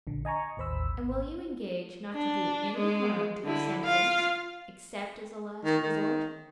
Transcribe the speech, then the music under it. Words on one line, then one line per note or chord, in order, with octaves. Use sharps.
"And will you engage not to do any harm to the sentry, except as a last resort?"
A#1 D3
D#5 G#5 A#5 C#6
A1 D#2 C5 B5 E6
G#1
D4
G#3
D3 E4
F4 F5
D#3
D#3